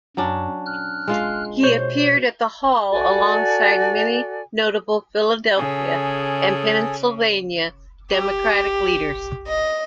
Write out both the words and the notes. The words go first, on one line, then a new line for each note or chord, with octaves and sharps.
He appeared at the Hall alongside many notable Philadelphia and Pennsylvania Democratic leaders.
F#2 F#3 C#4 D4
F6 F#6
G#3 F4 F5
B2 C5 C#5 G6
F#4 A4 D5 G#5
C#3 G#4 A4 G#5
G4
D#5